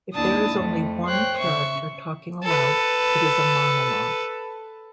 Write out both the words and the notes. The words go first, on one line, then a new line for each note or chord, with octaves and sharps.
If there is only "one" character talking aloud, it is a monologue.
D#2 D4 E4 A5 D#6
F2 A3
C5 C#5 G5 F#6
C#3 E5 C#6
A4 B4